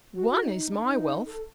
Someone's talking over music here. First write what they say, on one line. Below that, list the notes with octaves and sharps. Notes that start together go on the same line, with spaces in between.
ONE is my wealth!
F#4
F#4
D#4
D#4
D4
D#4
A4